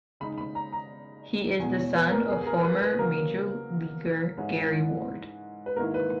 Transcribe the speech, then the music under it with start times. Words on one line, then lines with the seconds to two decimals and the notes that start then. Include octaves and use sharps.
He is the son of former major leaguer Gary Ward.
0.20 C#3 G#3 D#4 B5
0.38 B5
0.55 A#5
0.72 A#5
1.59 E2 B2 G#3 G#5
1.77 C#5
1.95 B4
2.11 A#4
2.29 G#4
2.42 G#4
2.46 A#4
2.64 B4
2.81 B4
2.98 C#3 F#3 A#3 A#4
4.37 G#2 E3 G#3 C#4 E4
5.66 B4
5.76 G#2 D#3 A#3 E4 A#4
5.94 B4